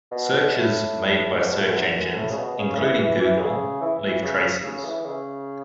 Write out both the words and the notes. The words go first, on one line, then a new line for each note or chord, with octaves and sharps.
Searches made by search engines, including Google, leave traces.
B2
A2
C#3
B2
A2
F#2
E2
E2
F#2
A2
C#3
B2
C#3
C#3
E3
E3
E3
C#3
E3
E3
C#3
C#3
C#3
E3
C#3